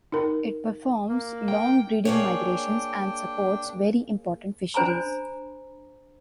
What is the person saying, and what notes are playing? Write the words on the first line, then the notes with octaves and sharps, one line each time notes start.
It performs long breeding migrations and supports very important fisheries.
D#4 A#4
A#3
G5
A#3 D4 G#4 C#5 G5
D4 C5 G#5 A#5 B5